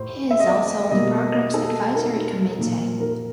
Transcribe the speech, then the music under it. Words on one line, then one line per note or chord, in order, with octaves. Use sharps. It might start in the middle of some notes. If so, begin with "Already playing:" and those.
He is also on the program's Advisory Committee.
Already playing: A2 C5
E5
D#5
D5
B2 G3 A#3 D#5
D#5
A4
A#4
A4
A#2 F3 A#3
A#4